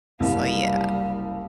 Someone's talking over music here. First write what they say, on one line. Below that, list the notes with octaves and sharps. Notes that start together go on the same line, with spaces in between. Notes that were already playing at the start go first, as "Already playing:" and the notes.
So, yeah.
F#1 C2 G3 F5